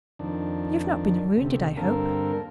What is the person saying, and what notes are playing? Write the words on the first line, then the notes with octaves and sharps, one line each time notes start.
"You have not been wounded, I hope?"
F2 D#3 D4
D2 C3
G2 D3 A#3 C4 A4 A#4